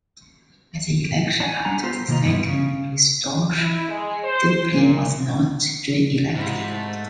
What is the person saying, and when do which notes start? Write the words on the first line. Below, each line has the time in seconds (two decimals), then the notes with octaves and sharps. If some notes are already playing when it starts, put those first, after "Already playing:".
At the election after the second restoration Dupin was not reelected.
1.40 D4 F#5 G#5
1.65 G3 D4 F#5 G#5 A#5
1.83 B3 F4 G4 A4 C5
2.08 C3 D#3 A#3 F4 D#5 A#5
2.23 G2 D3 F#3 G3 B3
2.46 C#3
3.58 E4
3.89 G#3
4.24 C5
4.73 A#2
6.36 G#2 C3 E4
6.69 A3